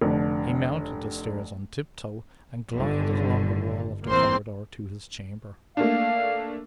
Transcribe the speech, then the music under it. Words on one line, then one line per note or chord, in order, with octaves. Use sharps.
He mounted the stairs on tip-toe and glided along the wall of the corridor to his chamber.
F1 D3
G1 D3 D#3
A1 E2 A#3 C4 C5 C6
A3 A#3 D4 F5